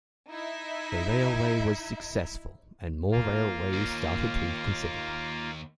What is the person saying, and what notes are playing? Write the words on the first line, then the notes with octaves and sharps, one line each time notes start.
The railway was successful and more railways started to be considered.
D#4 E4 E5
A#3 F4
D#2